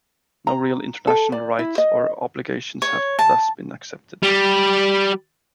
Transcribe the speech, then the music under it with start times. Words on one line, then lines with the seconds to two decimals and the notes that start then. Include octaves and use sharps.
No real international rights or obligations have thus been accepted.
0.47 A#5
1.07 A4
1.32 D5
1.59 E4
1.78 D#5
2.82 C#5
3.19 A5
4.23 G3